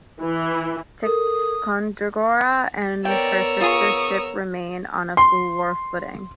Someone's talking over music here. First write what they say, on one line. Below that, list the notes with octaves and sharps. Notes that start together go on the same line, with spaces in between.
"Ticonderoga" and her sister ships remained on a full war footing.
E3
A4 A#4 D#6
B3 A#4 C#5 D5 G5 E6
F4 G#4 C#6 D#6
C6